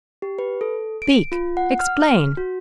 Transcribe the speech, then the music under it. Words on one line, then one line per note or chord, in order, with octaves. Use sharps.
Speak, explain!
G4
B4
A4
D7
F4
F#5
F6
F#4